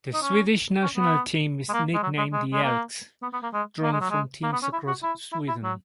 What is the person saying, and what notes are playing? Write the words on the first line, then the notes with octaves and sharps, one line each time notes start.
The Swedish National team is nicknamed the Elks, drawn from teams across Sweden.
D#4
C#4
C#4
B3
G#3
A#3
G#3
F#3
G#3
G#3
G#3
A#3
B3
B3
A#3
G#3
A#3
G#3
F#3
G#3
A#3
B3
C#4
E4
F#4
E4
E4
E4
F#3